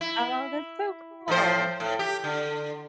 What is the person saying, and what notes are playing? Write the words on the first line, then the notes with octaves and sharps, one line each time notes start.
Oh, that's so cool.
E4
A2 F3 C5
A2
G4
D3